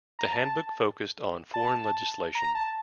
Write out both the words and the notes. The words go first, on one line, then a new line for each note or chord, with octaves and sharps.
The Handbook focussed on foreign legislation.
A#5
A5
A5
A#5
A5